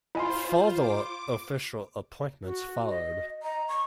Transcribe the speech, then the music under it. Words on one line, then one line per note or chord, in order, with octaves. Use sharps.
Further official appointments followed.
E4 F4 C5 D#5 G#5 B5 C6
D6
F#4
D#5
D#5 A#5
C#6